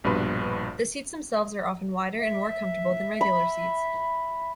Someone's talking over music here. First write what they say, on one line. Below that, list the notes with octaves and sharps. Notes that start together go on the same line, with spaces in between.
The seats themselves are often wider and more comfortable than regular seats.
A#1 G2 B2 B4 B5 C6
E5
B5